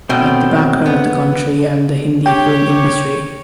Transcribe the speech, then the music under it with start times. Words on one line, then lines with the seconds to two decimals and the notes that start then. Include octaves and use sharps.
Like the background of the country and the Hindi film industry.
0.09 B2 A3 C4 C#4 G5
0.86 B3
2.26 G4 C#5 G5